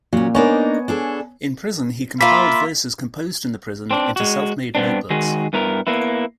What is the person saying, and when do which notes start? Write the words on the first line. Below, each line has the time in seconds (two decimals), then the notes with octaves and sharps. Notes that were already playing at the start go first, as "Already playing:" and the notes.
In prison, he compiled verses composed in the prison into self-made notebooks.
0.13 A#2 F#3 C#4
0.35 A#3 B3 D4 D#4 C#5 G#5
0.88 D4 G#4 A4
2.21 A#3 F4 E5 B5 B6
3.91 C4 D4
4.16 G#3 F#4
4.75 G2 B3 C4 D4
5.10 D#3 G#3 F#4 G#4
5.53 G2 B3 E4 A#4
5.87 A#3 B3 E4